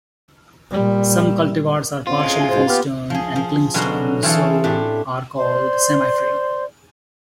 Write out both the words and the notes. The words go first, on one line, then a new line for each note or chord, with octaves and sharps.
Some cultivars are partially freestone and clingstone, so are called semifree.
A#2 G3
C4 C#4 F4
A2 G#3
E5 G#5
G#2 B2 C5
B3 G4 B5 C6 F6
F3 G#4
F3
B2 D3 F#3 C#4 C5
E3 C4 C#4 F4 G#4 A4
A2 D4 G4
C5 D5 C6